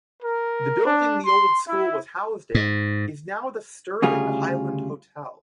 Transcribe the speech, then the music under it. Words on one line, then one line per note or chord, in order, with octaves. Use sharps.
The building the old school was housed in is now the Stirling Highland Hotel.
A#4
D4
C6
E4
G#2
D2 C#3 G3 F4 G#4